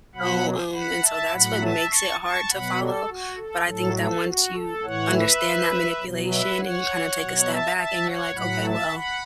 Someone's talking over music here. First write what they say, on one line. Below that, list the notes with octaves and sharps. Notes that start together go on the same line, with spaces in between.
so, um, and so that's what makes it hard to follow, but I think that once you understand that manipulation and you kinda take a step back and you're, like, "Okay, well,
B2 F#3 F#5 B5
F#5 B5
E5 A5
A2 F#3 F#5 B5
E5 A5
A5 C#6
A5 C#6
B2 F#3 F#5 B5
A4
F#4
A4
A2 F#3 A4
A4
F#4
A4
A2 E3 C#5 F#5
B4 E5
B2 F#3
B4 E5
C#5 F#5
B2 F#3
E5 A5
E5 A5
C#5 F#5
A2 F#3 F#5 B5
E5 A5
F#5 B5